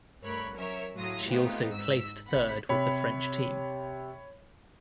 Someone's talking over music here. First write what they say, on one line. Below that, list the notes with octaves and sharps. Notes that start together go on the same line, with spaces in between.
She also placed third with the French team.
G2 A3 A#4 C#5 B5 F#6
F#3 C#4 A#4 C#5 E5
A2 F#3 F4 D#6 A#6
A3 B3 C4 D#4 F4 G4
G#2 E6 B6
G#1 C3 F#5 B5 B6
C3 C#5 B5